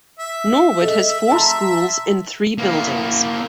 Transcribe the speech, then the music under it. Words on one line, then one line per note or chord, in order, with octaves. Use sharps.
Norwood has four schools in three buildings.
E5
A4 D#5
A5 A#5 C6
A#3 E4